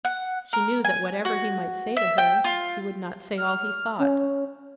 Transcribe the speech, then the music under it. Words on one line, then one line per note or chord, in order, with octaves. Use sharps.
She knew that whatever he might say to her, he would not say all he thought.
F#5
A#4
G#5
F#4
E5
G5
F4
F6
C#4